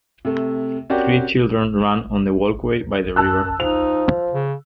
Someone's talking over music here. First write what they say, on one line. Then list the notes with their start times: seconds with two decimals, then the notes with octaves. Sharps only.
Three children run on the walkway by the river.
0.25 C3 A3
0.90 C4 C#4 F#4 G4 A#4 D5
3.16 F#2 A5 E6 F#6
3.60 F3 D#4 F7
4.34 C#3